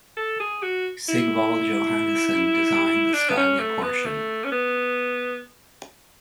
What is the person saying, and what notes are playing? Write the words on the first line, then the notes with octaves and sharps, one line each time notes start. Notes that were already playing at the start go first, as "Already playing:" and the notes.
Sigvald Johannesson designed the Skyway portion.
A4
G#4
F#4
E4
D4
B3
C#4
A3
B3
A3
C#4
B3